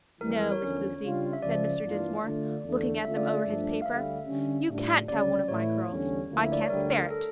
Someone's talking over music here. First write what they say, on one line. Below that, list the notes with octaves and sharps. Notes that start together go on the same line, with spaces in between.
"No, Miss Lucy," said Mr. Dinsmore, looking at them over his paper, "you can't have one of my curls; I can't spare it."
F2 E3 G3 A#4
A#4
A#4
C#5
E2 D3 F3 C#4
C#3 G3 D4 F4
E5
C#2 C#3 F3 D5
G2 E3 A#3 D4 F4
D3 A3 D4 F4
E2 D3 A3 D4
D3 A3 C#4 F4 E5
D5
E5
G2 F3 A3 D4
F5
D2 D3 G3 E5
D3 G3 C#4
A2 G3 D4 F4
D2 C#3 G3 C#4 D5
A2 E3 A3 E4 C#5
E2 D3 G3 C#4
D2 D3 F3 A#3 E4
E5
D5
C#5
D2 D3 G3 A#4
A#4
A4